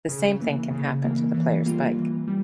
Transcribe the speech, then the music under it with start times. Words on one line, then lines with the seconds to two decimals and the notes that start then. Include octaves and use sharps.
The same thing can happen to the player's bike.
0.09 C#3
0.40 E3 A#3
0.71 C#3
1.03 E3 A#3
1.34 E3
1.65 G3 A#3 F4
1.97 E3
2.28 G3